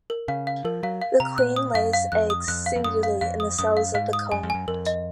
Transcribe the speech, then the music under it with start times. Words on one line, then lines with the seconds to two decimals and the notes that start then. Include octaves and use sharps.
The queen lays eggs singly in cells of the comb.
0.10 A#4
0.28 C#3 F5
0.47 F5
0.64 F3 A#4
0.83 F#3 F5
1.02 F5
1.20 C3 A#5
1.38 A#2 F#6
1.56 D#6
1.74 F#2 F5
1.93 F5
2.12 F2 F#6
2.30 D#6
2.48 F2 F#6
2.66 F5
2.76 F2
2.84 F#2 D#6
3.03 F5
3.21 F2 F5
3.40 D#6
3.59 F#2 D#6
3.77 F5
3.94 G#2 F5
4.13 D#6
4.32 F#2 G#5
4.43 F2
4.50 F#2 G#5
4.68 F2 A#4
4.86 D#5